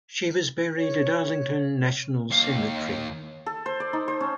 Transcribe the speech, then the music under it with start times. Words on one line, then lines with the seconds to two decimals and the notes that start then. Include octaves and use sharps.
She was buried at Arlington National Cemetery.
0.78 C#5
2.30 D#2 F5
3.46 A4
3.66 C5
3.80 D5
3.93 D#4
4.08 C5
4.21 C#4